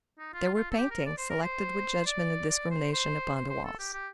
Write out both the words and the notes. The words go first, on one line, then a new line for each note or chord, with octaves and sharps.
There were paintings, selected with judgment and discrimination, upon the walls.
D#4
F4
F4
A4
G4
A#4
D5
C5
A#4
C5
D5
D5
C5
C5
C5
C5
A4
G4
G4